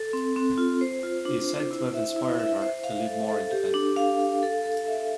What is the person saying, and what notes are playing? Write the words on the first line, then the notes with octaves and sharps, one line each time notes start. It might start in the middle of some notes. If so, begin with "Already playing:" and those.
He is said to have inspired her to live more independently.
Already playing: A4
C4
C4
F4
C5
F4
D4
C5
E4
E5
E4
E5
C5
F5
A4
A4
G4
D4
F5
F5
A4
A4
E5